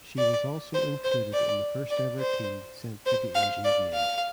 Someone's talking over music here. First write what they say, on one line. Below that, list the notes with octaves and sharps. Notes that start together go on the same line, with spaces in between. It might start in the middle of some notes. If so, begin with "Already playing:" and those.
She was also included in the first ever team sent to the Asian Games.
D5
C5
C5
D5
D5
C5
C5
F5
D5
F5